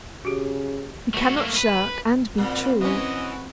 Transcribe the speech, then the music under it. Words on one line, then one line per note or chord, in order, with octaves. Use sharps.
We cannot shirk and be true.
C#3 F#4 G4
A3 F#4
A3 A#3
B4
A#2 G3 C4 F#5 B5
E3 C#4 F#4 B4 D#5